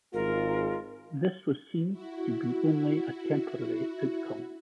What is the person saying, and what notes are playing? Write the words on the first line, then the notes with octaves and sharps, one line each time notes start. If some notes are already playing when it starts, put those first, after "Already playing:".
This was seen to be only a temporary outcome.
G#1 G#3 F4 A#4
E4 F#4